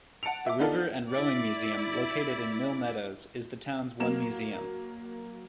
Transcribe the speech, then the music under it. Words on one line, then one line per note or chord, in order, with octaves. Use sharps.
The River and Rowing Museum, located in Mill Meadows, is the town's one museum.
F#5 A5 C#7 D7 F7
E5 D6
B3 D4 D#4 F4 A4
E4 D5
F#3 A#3 E7